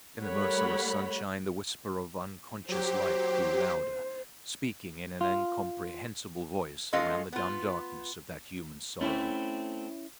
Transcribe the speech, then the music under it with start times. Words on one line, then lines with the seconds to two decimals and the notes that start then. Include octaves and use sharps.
In the merciless sunshine the whisper of unconscious life grew louder, speaking in an incomprehensible voice round the dumb darkness of that human sorrow.
0.20 G3 A3 A#4 C#5 F#5 B5
2.69 F#3 G4 C5
5.21 F4
6.93 G#3 C#4 F4 A4 D#5 F5
7.33 B3 F4
9.01 A3 C4 C#4 E4